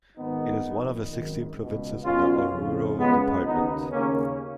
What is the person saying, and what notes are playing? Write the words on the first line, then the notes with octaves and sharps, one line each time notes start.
It is one of the sixteen provinces in the Oruro Department.
G#1 G#2 D#3 B3 D#4
A#1 A#2
G#1 F#2 D#3
C#2 B2
B1 B2 C#4 F4
F2 C#3
C#2 C#3 G#3 B3
D#2 C#3 B3 D#4
D#2 C#3 A#3 C#4